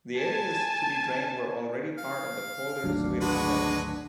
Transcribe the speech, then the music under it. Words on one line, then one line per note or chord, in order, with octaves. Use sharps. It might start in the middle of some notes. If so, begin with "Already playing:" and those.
The areas to be drained were already part of the polder Zuid Haffel.
G#5 A5
F5
G#1 D2 F#3 D4
G#3 F#4 B4